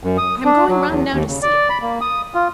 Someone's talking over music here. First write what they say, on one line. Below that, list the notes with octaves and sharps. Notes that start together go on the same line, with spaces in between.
I am going round now to see it.
F#2
D#6
D4
F#3
E2
D#2
C#3
D5
B5
A#3
D#6
F4